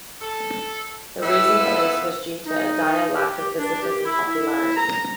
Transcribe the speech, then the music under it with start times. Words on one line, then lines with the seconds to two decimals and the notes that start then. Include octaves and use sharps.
The reason for this was due to a dire lack of visitors and popularity.
0.21 A4
1.22 A2 E4 A4 B4 E6
1.59 F3 B3 F4
2.46 D#4
3.15 G4
3.59 D4
3.82 G4
4.05 E4
4.27 E4
4.76 A#5